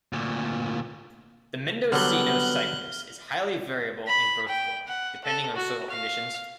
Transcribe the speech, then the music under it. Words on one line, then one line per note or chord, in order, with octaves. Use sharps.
The Mendocino cypress is highly variable in growth form, depending on soil conditions.
D2 A#2
D3 F#3 G3 B3 F6 F#6 G7
B5
G5
F#5
A4
F#4
F5